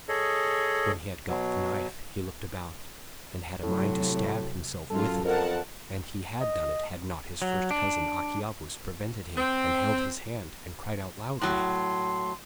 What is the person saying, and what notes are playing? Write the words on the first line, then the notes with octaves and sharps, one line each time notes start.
When he had got the knife, he looked about, and had a mind to stab himself with it; and he had done it, had not his first cousin, Achiabus, prevented him, and held his hand, and cried out loudly.
G#4 A4 C#5 D#5
B2 F#3
A2 C3 F#3
F#2 F4 A4
F2 A#4 F#5 A5
D#5
F#3
D4
C4
A2 F#3 C6